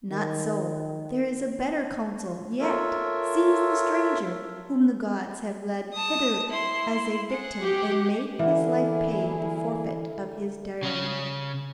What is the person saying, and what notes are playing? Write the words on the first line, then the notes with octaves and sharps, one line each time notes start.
Not so, there is a better counsel yet; seize the stranger whom the gods have led hither as a victim and make his life pay the forfeit of his daring.
D#3
F4 A4 A#4 C#5 E5
A5 D#6
E4 C6
G#4 F#5
G4
D3 E3 A#3 E4 G#4 E5
C#3 C#4